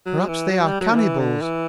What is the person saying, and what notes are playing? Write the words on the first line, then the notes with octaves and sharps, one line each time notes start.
Perhaps they are cannibals!
F#3
E3
F#3
G3
F#3
D3
E3
D3
E3